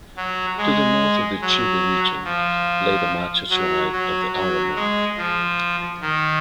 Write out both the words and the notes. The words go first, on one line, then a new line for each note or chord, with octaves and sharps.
To the north of the Gibe region lay the Macha tribe of the Oromo.
F#3
G#3
F#3
F3
F#3
F#3
F#3
G#3
F3
D#3